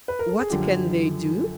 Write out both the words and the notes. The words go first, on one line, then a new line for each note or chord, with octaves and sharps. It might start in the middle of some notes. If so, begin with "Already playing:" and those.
What can they do?
B4
A#4
A4
G#4
F#2 D3 F3 G4